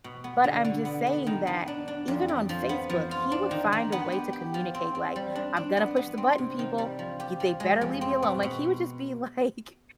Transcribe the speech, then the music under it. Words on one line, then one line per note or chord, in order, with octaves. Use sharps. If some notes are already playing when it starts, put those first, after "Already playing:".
But I'm just saying that even on Facebook, he would find a way to communicate, like, "I'm gonna push the button people. Y they better leave me alone." Like, he would just be, like,
B2
B3
D3
D3
B3
B3
D#3
B3
D4
D4
F2
F2
F3
B3
F3
F4
D4
D#3
D#3
B3
G4
G4
F3
C4
C4
G3
D4
D4
B3
B3
C4
C3
D#3
G3
F3
G4
F3
G#3
F2
C4
B2
B2